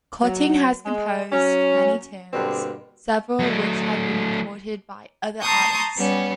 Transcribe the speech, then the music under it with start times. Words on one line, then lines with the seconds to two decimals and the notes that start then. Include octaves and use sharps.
Cutting has composed many tunes, several of which have been recorded by other artists.
0.23 F#3
0.86 G#3
1.32 F#3 C#4
2.34 G2 B2 D3 A#3 C4
3.39 F#3 A3
5.41 A5 A#5 C6 C#6 D#6 G6
5.96 G3 B3 C#4